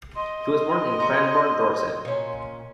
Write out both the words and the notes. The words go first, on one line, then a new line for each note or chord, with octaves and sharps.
He was born in Cranborne, Dorset.
D#5 C6
D3 F#4 A#5
A#2 C#4